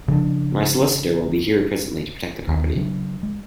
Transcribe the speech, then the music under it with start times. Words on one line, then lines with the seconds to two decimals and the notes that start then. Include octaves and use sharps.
My solicitor will be here presently to protect the property.
0.08 C#3 F3 D4
2.48 D#2 B3
2.75 C#3 F#3 D4
3.23 G#3